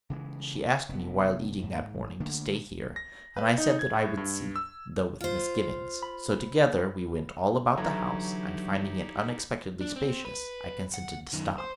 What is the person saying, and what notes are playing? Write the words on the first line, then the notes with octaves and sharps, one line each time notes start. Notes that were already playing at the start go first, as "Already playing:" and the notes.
She asked me while eating that morning to stay here, and I said that I would see, though with misgiving: so together we went all about the house, and finding it unexpectedly spacious, I consented to stop.
C#3 E3 G#3
F1 B3
G#2
D3 A3 A#3
A#6
B4
D#4
G#6
A2
G2
E6
F4 C5
B5
D3 E3 F#3 D#4 E4 G4 A#5
D4
C4
B4
F#5
F#2 D#3
C5